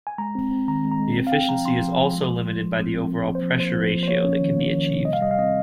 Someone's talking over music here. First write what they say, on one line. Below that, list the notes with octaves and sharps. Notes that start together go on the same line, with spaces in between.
The efficiency is also limited by the overall pressure ratio that can be achieved.
G#5
G#3 A#5
C4
C4
D#3 A#5
G#3
A#5
G#3
C4
F5
C4 G5
F3 A#5
F3 C6
F3
F3
G#3
F3
G#3
F3
C4
C4
F3
A#3
C5
F3
A#3 C5
F3
F3
C5
A#3 C#5
C#4
D#3
A#3
D#3
C3
G3 D#5
F5
G3 D#5
F5
C4 D#5